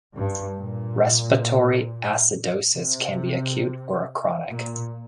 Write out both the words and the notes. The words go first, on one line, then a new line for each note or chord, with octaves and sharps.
Respiratory acidosis can be acute or chronic.
G2
A#2
C3
A#2